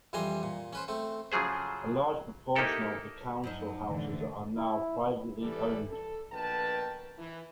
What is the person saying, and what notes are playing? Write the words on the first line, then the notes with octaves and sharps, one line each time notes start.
A large proportion of the council houses are now privately owned.
F2 E3 G3 G#5 A#5 C6
A#2
C#4 B4 C5
A3 C4
C#3 F3 F#3 G#4 C5
A#3 D#4 E4 G4 A4 A#4
F#2 F3 D#4
A2 D3 E3
E4
E3 G3 A4 D5
A4
A#1 B2 A#4 B4 G5 A5
E3